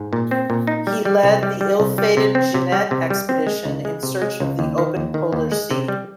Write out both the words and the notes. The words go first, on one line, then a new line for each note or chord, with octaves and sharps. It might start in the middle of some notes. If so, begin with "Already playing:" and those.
He led the ill-fated Jeannette Expedition in search of the Open Polar Sea.
Already playing: G#2
A#2
C4
A#2
D#4
G3
G3
C2
G3
G3
C2
G3
C3
C4
C3
G3
C3
G3
C4
G#3
C#2
G#3
C3
G#3
C#2
D#2
D#3
D#2
D#3
D#2
G#3
C3
G3